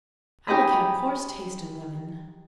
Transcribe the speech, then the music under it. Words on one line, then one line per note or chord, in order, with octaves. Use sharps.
Alec had a coarse taste in women.
D#4 G4 G#4 D#5 B5